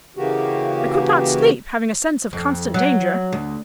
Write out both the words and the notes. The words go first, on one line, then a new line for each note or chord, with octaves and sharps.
I could not sleep, having a sense of constant danger . . . .
C#3 E3 A#3 F#4 G4
F2
F#3
D2